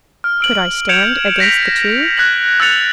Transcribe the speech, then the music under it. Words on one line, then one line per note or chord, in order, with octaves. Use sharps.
Could I stand against the two?
F6
E6 D7 F#7
G6 G#6 C#7 D7 E7 F7
G6 A#6 B6 D7 F7
F#6 G#6 A#6 B6 F#7
E6 F#6 G#6 A6 C#7 F7